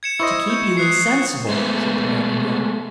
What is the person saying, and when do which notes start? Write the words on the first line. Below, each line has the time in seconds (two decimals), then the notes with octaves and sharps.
"To keep you insensible," said the man in yellow.
0.03 G#6 C#7 E7
0.20 E4 C5 D#5 C#6
0.48 G6 G#6
0.64 E7
0.77 D#6 F#6 C7
1.49 G#3 A3 B3